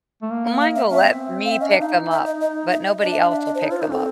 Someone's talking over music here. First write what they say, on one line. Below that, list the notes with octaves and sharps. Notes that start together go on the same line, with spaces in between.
Mine will let me pick them up, but nobody else will pick them up.
A3
A#3
F5
E5
C#4 E5
C4
B3
C4
F5
C4 E5
C#4 D#5
D4 E5
D#4 F5
E5
D#5
D#5
E5
D#5
D4 D#5
E5
F5
E5
D#5
C5
D#4 C#5
F4 C5
D#4 A#4
C4 A4